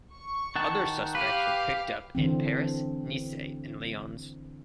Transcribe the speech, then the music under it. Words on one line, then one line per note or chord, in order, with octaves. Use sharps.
Other suspects were picked up in Paris, Nice and Lyons.
C#6
D#3 F#5 A5
G4 B4 F5
D3 E3 C4